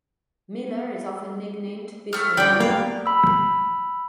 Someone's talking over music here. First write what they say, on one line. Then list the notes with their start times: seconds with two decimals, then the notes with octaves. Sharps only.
Miller is often nicknamed "Pistol Pete".
2.13 A3 F6
2.37 F#2 G3 D5 G5 B5
2.60 A#3 B3 F5
3.06 B5 E6